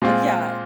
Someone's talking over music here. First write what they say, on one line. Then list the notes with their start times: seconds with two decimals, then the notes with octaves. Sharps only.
But yeah
0.02 A#2 G#3 C4 F4